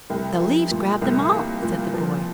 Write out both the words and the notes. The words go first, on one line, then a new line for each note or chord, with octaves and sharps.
"The leaves grabbed them all," said the boy.
C2
F3
A#2
C2
A#3
A#2
F3